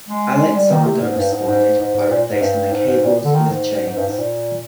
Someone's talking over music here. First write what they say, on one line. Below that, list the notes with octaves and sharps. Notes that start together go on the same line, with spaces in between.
Alexander responded by replacing the cables with chains.
G#3
G3
D#3
C3
G#2
G2
G#2
G#2
G#2
G#2
A#2
G#2
G2
G#2
G#2
A#2
D3
D#3
G#2
G#2
G2
G#2
A#2